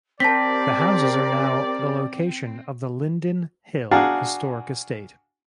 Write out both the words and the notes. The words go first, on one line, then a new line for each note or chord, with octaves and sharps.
The houses are now the location of the Linden Hill Historic Estate.
C4 G4 A#4 C5 D5 A5 B6
D4 F#4 G#4 F5 A#5